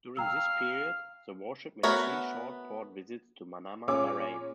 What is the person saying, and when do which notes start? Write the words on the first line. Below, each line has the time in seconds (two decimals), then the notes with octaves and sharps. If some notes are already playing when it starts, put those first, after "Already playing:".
During this period, the warship made three short port visits to Manama, Bahrain.
0.17 F5 G5 A#5 E6
1.83 A3 B3 F#4 A#4 C#5
3.88 A#2 C#4 G#4 C#5 D6